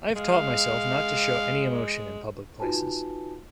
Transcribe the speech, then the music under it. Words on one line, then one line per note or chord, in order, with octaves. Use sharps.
I have taught myself not to show any emotion in public places.
G#3 F5
D#4 F4 F#4 B4 G#5 A5